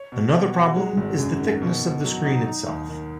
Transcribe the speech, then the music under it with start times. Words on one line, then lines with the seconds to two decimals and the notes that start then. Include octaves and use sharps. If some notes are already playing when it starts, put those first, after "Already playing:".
Another problem is the thickness of the screen itself.
Already playing: C#5
0.12 B2
0.34 B3
0.55 F#4
0.76 G#3
0.97 G#1
1.18 F#2
1.40 D#3
1.62 B2
1.83 B2
2.04 F#3
2.25 D#4
2.47 D#4
2.68 D#2
2.89 D#3